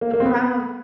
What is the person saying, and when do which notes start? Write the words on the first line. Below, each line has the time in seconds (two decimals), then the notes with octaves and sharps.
The problem
0.01 A#3
0.14 A#3
0.20 C4
0.25 B3